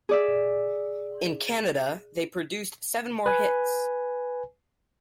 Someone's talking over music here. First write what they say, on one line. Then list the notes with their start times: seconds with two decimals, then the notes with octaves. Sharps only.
In Canada they produced seven more hits.
0.09 G#4 D5 E5
3.26 B4 G#5